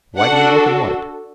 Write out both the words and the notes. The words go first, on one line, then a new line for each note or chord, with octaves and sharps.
Why do you look annoyed?
D4 F#4 A4 F#5